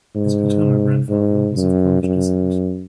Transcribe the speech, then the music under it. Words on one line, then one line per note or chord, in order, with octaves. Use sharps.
His paternal grandfather was of Polish descent.
G#2
G#2
F#2
F#2